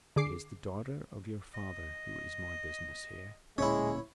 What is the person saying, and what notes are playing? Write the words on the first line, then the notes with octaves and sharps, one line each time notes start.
"It is the daughter of your father who is my business here."
D3 G#4 D6 C7
D#5
D1 A#2 G#3 C#4 E4 C#5